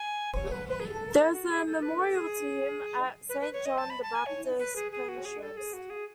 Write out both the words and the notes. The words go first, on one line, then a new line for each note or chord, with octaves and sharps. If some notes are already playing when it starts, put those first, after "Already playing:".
There is a memorial to him at Saint John the Baptist, Penshurst.
Already playing: G#5
C#5
B4
B4
G#4
A4
F#4
G#4
A4
B4
A4
G#4
B4
B4
C#5
D#5
A5
B5
A5
G#5
C#5
B4
G#4
G#4
F#4
G#4
A4
G#4
F#4
G#4